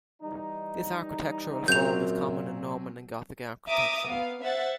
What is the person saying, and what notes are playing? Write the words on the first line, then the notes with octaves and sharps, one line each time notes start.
This architectural form is common in Norman and Gothic architecture.
E3 G3 D#4
F#2 A#2 F#3 C4 G#4 G6 F7
E5 A#5 D6 D#6
B3 F5
C5 E5 F#5 A6